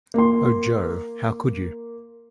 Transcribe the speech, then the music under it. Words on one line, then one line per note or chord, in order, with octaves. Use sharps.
O Jo, how could you?
A#3 C6